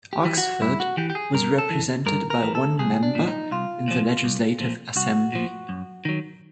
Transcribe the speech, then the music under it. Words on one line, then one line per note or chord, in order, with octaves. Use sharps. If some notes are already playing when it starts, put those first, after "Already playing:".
Oxford was represented by one member in the Legislative Assembly.
G4
E3
F#4
G2 E4
F#4
E3 G4
G4
G#4
G2 A#4
A4
E3
G2 A#4
A#4
E3
A4
C2 G#4
D4
A#2 F3
D#4
C2 F4
A#2 F3
C2
A#2 F3
C2 F#4
A#2 F3
F#2
D#3 F#3